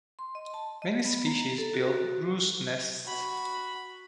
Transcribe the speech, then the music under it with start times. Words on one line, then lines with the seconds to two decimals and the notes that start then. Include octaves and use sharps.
Many species build roost nests.
0.19 C6
0.35 D#5
0.54 A5
0.82 D#5
1.05 B3
1.26 A#5
1.58 A4
1.74 F#4
3.05 F#4 B5